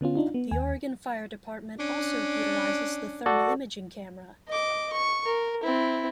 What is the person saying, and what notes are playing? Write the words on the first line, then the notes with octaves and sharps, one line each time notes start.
The Oregon Fire Department also utilizes the Thermal Imaging Camera.
D3 B3 C#4 F4
D4 D#4 F4
B3
D#2 G#5
C#4 D4
F#4 A4 D5
D#5 D6
C#6
A#4
C4 E4